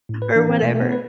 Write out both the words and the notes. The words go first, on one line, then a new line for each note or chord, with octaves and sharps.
or whatever."
A2
B4
E3 D4
C4
B2 A3
A3
B3
B4